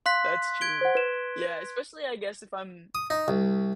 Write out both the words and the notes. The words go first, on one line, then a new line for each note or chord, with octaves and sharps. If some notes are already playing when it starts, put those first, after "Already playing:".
That's true. Yeah, especially I guess if I'm
F5 C6 F#6 B6
G#6 D7 G7
C5 F#5
B4 E7
D#6
D#4
C2